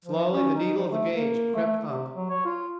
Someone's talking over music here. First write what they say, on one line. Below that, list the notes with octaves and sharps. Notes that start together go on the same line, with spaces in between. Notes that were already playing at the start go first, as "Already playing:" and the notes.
Slowly the needle of the gauge crept up.
F3
C#4
D#4
F3
A3
A#3
A3
C3
F#3
C#5
F4